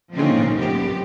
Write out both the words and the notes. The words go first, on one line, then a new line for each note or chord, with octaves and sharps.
No die Jimmy.
F3 A#3 C4 C#4 D#4 F4
F#2 F3 B3 C4 G4